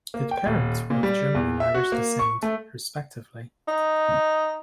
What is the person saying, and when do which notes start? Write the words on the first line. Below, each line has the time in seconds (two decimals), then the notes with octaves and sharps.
His parents were of German and Irish descent, respectively.
0.14 A#3
0.31 G5
0.46 D#1
0.90 A#2
1.03 G3
1.35 E2
1.60 E5
1.74 F#4
1.92 A#3
2.19 C#6
2.43 A3
3.68 D#4